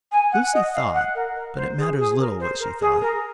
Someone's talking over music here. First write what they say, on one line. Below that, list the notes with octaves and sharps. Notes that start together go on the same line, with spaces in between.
Lucy thought--but it matters little what she thought.
G#5
F#5
D#5
F5
F#5
A#4
A#4
C5
G#4
G#4
A#4
C5
A#4
G#4
A#4